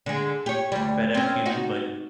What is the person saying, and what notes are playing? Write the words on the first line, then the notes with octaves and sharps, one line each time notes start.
FedEx human, but
D3 G#3
G4 C#5
D2 G3
C4 C#4
D#4 F#4